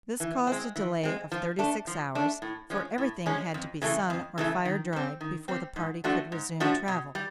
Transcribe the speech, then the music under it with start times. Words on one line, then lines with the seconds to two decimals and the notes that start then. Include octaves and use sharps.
This caused a delay of thirty-six hours, for everything had to be sun or fire dried before the party could resume travel.
0.20 E3
0.47 G#3 C4
0.76 E3
1.03 G#3 C4
1.32 F3
1.59 A3 D4
1.87 F3
2.15 A3 D4
2.42 A2
2.70 F3 G#3 C#4
2.98 A2
3.26 F3 G#3 C#4
3.54 F2
3.82 C#3 E3 A3
4.10 F2
4.38 C#3 E3 A3
4.65 D#3
4.93 G3 C4
5.21 D#3
5.48 G3 C4
5.76 G#2
6.04 F3 A3 D4 F#4
6.32 G#2
6.60 F3 A3 D4 F#4
6.88 B2
7.15 G3